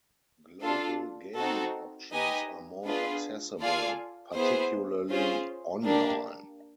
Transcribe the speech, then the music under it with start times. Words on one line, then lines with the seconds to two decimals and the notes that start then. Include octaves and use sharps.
Global gaming options are more accessible - particularly online.
0.62 D4 F4 A4
1.36 C4 D#4 F#4 A4
2.11 D#4 G4 B4 D#5 G#5
2.86 B3 D4 F4 G#4 B4
3.60 F4 A4 D5 F5 G#5
4.35 B3 E4 G#4 C5
5.09 C#4 F4 G#4 C5
5.84 A#3 D4 G4